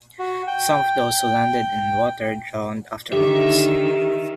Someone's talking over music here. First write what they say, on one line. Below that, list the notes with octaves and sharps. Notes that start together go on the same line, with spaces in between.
Some of those who landed in water drowned afterwards.
F#4
G5
D3 D#3 G4 E5